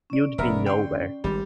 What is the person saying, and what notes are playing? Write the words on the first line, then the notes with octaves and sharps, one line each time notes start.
You’d be nowhere.
C#4 D5
F1 B3 A#4 E5
D3 G5 C6
G#1 G#2 G3